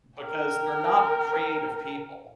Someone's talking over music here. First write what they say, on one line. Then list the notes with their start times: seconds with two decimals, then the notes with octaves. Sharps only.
Because they're not creative people.
0.18 A#4 G5